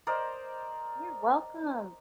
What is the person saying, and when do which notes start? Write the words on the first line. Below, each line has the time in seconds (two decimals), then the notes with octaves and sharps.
You're welcome.
0.07 A#4 C5 D5 D#5